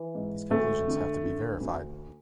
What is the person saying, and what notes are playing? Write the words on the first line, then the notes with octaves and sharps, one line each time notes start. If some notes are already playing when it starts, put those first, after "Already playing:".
These conclusions have to be verified.
Already playing: E3
G#2
D2 A3
D3
D3
D2